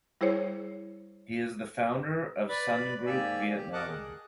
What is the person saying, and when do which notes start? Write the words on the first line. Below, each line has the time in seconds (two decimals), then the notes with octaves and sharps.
He is the founder of Sun Group Vietnam.
0.21 G3 E4 G#4 C5 C#5
2.49 B4 D5 B5
3.06 G#2 A#3 G4 D5 G#5 E6
3.56 G4
3.73 A#4 D#5 F#5 A5 D6 F#6
3.88 G#4